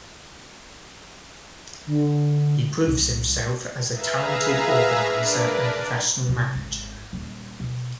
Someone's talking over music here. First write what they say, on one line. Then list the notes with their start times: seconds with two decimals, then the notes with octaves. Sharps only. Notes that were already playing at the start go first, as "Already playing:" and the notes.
He proves himself as a talented organiser and professional manager.
1.87 D3
2.87 C2
3.91 G#4 B4 E5 F5 A#5
5.11 D4 A#4 B4 D5
6.29 C3
6.55 G#1
7.13 D#1
7.60 B2